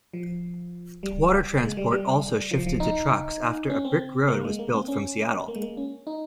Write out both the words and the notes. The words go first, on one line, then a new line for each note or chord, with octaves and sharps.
Water transport also shifted to trucks after a brick road was built from Seattle.
F3
G3
G#3
G3
G3
F3
F3
D#4
C#4
C4
A#3
G#3
A#3
C4
C#4
A#3
G#3
A#3
C#4
D#4